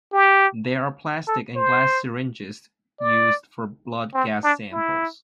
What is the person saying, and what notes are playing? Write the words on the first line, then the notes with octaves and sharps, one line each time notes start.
There are plastic and glass syringes used for blood gas samples.
G4
A4
C5
D5
C4
D4
E4